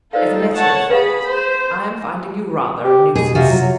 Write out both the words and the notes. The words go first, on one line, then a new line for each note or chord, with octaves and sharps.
"As a matter of fact I am finding you rather a nuisance."
D#4 F4 A4 C5 D5 F5
C#5 F#5 A5
G#4 B4 F5 F#5 B5
C5
G4
B2 G#4
C3 F4 F#4
F#3